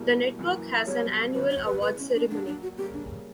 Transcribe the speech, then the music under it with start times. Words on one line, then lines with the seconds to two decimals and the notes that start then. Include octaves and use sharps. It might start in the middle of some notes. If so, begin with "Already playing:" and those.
The network has an annual awards ceremony.
Already playing: E2 B2 G3 A#3 E4
0.39 F#2 E3 A#3
0.87 B1 B2 G3 C#5
1.34 G1 F#2 D3 B4
1.50 C#5
1.66 B4
1.82 E1 E2 C#3 E3 B4
1.99 C#4
2.15 D4
2.30 A#2 F#3 A#3 D4
2.46 D4
2.63 F#4
2.77 C#3 G3 A#3 C#4 G4
2.93 D4